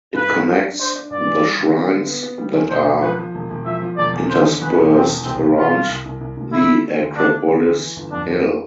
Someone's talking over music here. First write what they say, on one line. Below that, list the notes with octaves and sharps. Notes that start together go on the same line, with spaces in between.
It connects the shrines that are interspersed around the Acropolis hill.
G2 B4
G2
D4
D4
D4 C5
D4
G2 D5
E3
G3
D3
B3
D3
B3
B3
G3
E2
E1 C5
E1
F3 B4
F3
E1
E1
F3 E5
F3
E1 D5
E2
D3 C5
E2
E2 B4
E1
E2 C4
E1
C2 C4
B2
B2 F4
G3
C2
C2
C2
C2
D3 E4
D3
A3
D2
D2 D4
A3
D2
D2
E3
G1
F2 D4
G1